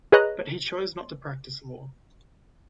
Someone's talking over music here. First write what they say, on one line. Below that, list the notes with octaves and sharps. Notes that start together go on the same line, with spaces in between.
But he chose not to practice law.
G#4 B4 C#5 D#5 A#5 F#6